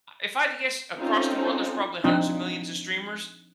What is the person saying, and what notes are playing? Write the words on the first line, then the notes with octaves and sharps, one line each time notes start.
if I had to guess across the world, there's probably hundreds of millions of streamers.
C4 C#4 D#4 F4 A4
F3 C4 D4 D#4